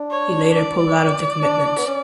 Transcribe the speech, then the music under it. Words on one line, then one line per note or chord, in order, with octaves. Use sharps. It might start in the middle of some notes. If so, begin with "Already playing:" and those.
He later pulled out of the commitment.
Already playing: D4
C#5
D5
D4
B3
C#4